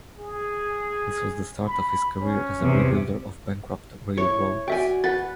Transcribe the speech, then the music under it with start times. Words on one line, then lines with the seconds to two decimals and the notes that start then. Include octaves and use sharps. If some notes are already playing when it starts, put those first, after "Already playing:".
This was the start of his career as a rebuilder of bankrupt railroads.
0.19 G#4
1.66 B5
2.20 C#4
2.60 E2 C3
4.17 E4 C#5
4.68 F#4 D5 E5 G5 G#5
5.04 B4 F#5 A6